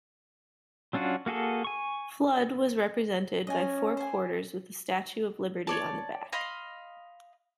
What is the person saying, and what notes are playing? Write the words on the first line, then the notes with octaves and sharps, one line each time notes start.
Flood was represented by four quarters with the Statue of Liberty on the back.
F#3 C#4 D4 F4 F#4
A#3 F#4 G#4 A4
G#5 C#6
C#4 D#5 G#5
C5 G#5
C#5 D5 A5
D#5 F5 B5 C6